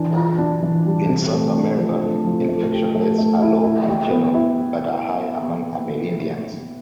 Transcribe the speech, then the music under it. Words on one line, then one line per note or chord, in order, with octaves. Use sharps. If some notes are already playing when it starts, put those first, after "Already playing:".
In South America, infection rates are low in general but are high among Amerindians.
Already playing: E3 D4
F4
D4
E3
G3
C3
A3
D4
F3
A3
F3
A3
G4
A3
A3
E4
E4
G4
B3
E4